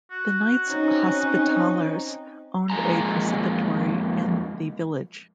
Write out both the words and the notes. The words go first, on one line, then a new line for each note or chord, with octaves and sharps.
The Knights Hospitallers owned a preceptory in the village.
F#4
C4 C#4 D#4
F2 G#3 A#3 G#5 A#5